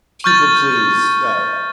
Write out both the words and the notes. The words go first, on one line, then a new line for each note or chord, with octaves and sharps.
People please, right.
C#6 F6 G6 A6